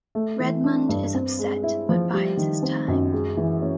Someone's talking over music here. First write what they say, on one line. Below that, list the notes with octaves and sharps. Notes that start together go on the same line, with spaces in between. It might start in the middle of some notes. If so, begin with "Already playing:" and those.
Redmond is upset, but bides his time.
A3
E3
D4
G2
C4
G#3
E4
F3
G3
D#3
C4
F#2
G#3
E3
C#4